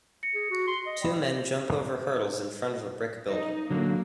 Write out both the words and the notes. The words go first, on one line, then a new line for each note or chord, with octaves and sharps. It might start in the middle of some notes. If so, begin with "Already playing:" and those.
Two men jump over hurdles in front of a brick building.
A#6 C#7
G#4
F#4
C6
D#5
D5 G5 B5
D#4
D3 F#3 A#3